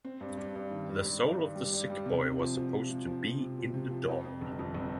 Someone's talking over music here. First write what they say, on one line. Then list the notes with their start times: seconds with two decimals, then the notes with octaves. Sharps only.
The soul of the sick boy was supposed to be in the doll.
0.05 C4
0.21 G2
0.37 G2
0.55 G2
0.71 D#3
0.89 G2
1.06 G2
1.21 G2
1.39 D#3
1.55 G3
1.72 G2
1.90 G3
2.06 C3
2.22 C4
2.39 F3
2.56 F3
2.74 F3
2.90 C3
3.06 F3
3.23 F3
3.41 C3
3.58 F3
3.74 C3
3.91 F3
4.08 F2
4.24 F2
4.41 G1
4.59 F2
4.74 G1